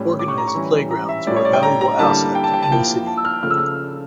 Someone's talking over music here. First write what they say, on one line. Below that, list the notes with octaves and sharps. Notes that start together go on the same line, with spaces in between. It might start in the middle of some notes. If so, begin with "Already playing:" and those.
Organized playgrounds were a valuable asset to any city.
Already playing: A2 G3 C#4
D6
C#6
A#5
C#6
E3 G3 C#4 E4
A#5
E5
A2 G3 C#4 D5
C#5
D5
G5
A#5
A#5
D3 G3 A#3 E4 A5
G5
A5
G5
A5
F3 A#3 E4 G5
A5
E6
F6
C#3 F3 A3 F6
E6
F6